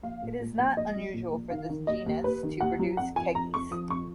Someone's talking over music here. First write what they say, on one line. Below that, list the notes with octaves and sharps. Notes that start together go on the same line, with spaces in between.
It is not unusual for this genus to produce keikes.
A#1 F5
A#2
A#2
A#1
A#1 D#5
F#3
A#2
A#1
D#3 F5
D#3
D#2 D#5
D#2
D#2 B4
D#3
D#2 F#5
F#3
F2 F#5
F3 G#5
F2 A#5
F2 C#6
F3 D#6
F2 C#6